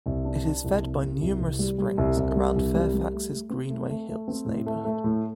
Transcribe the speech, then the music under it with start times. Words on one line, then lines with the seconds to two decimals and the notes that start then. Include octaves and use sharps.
It is fed by numerous springs around Fairfax's Greenway Hills neighborhood.
0.06 C2
0.25 D4
0.44 D4
0.64 C2
0.82 C3
1.02 C3
1.21 C2
1.40 C3
1.59 G3
1.78 G3
1.98 C2
2.17 C2
2.36 G3
2.56 C2
2.75 G3
2.94 G3
3.13 A3
3.32 A3
3.50 C4
3.70 A3
3.90 A3
4.09 A3
4.28 C4
4.46 A2
4.66 A3
4.85 A3
5.04 A2